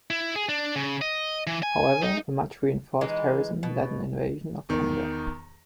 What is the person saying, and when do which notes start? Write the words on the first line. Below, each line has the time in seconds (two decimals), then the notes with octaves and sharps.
However, a much reinforced Harrison led an invasion of Canada.
0.10 E4
0.36 G#4
0.49 D4
0.76 C#3
1.01 D#5
1.47 E3
1.63 G#5
2.02 D#4
3.01 E3 G#3 D#4
3.63 B2
4.69 E2 D#3